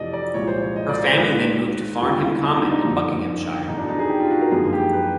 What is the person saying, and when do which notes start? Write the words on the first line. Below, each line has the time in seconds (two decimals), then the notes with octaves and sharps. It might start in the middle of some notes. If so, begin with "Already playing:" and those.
Her family then moved to Farnham Common in Buckinghamshire.
Already playing: F2 C3 E3 A3 D5 D#5
0.13 D5
0.34 C2 A#2 F3 G#3 C#5
0.47 C5
0.62 C#5
0.76 D#5
0.89 D5
1.04 C5
1.17 D#2 D#3 G#3 B4
2.00 E1 D#2 D3 G3 F4
2.22 E4
2.42 D#4
2.56 D4
2.70 D#4
2.84 F#1 F2 D3
3.68 E2 B2 F#3 A3 D#4
3.78 D4
3.89 D#4
3.99 G#4
4.09 G4
4.20 F4
4.30 F#4
4.41 A#4
4.51 G#1 F#2 D3 F3 A#3 G#4
4.73 G4
4.93 B4